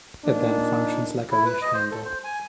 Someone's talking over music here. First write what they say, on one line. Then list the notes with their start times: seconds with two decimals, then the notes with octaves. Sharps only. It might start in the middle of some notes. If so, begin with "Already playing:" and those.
It then functions like a leash handle.
0.25 A#2 A#3 D4 D#4
1.31 E4
1.45 B4
1.61 D#5
1.74 C5
1.91 A4
2.05 C5
2.24 G#5